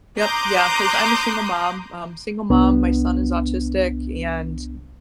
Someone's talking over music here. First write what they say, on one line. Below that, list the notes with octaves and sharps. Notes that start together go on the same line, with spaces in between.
Yep, yeah, 'cause I'm a single mom, um, single mom, my son is autistic, and,
A#5 C6 D6 D#6 F#6 G6
C2 B3 D4